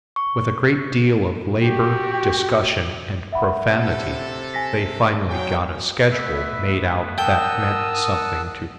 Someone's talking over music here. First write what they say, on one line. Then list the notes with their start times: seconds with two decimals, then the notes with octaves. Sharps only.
With a great deal of labor, discussion, and profanity they finally got a schedule made out that meant something to Hugh.
0.16 C#6
1.63 F#4 G4
3.33 E5 F#5 B5
3.67 C3 A4
4.53 G#5 A#6 B6
5.30 F#3 G5 G#5
6.11 A3 B3 B4 E5
7.18 A#4 F#5 G5 A5 D#6 E6